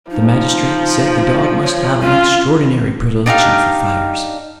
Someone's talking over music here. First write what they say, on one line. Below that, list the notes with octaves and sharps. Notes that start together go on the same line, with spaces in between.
The magistrate said the dog must have an extraordinary predilection for fires.
F3 D#4
C#5
C#4 F4
D4 D#4 G4 F5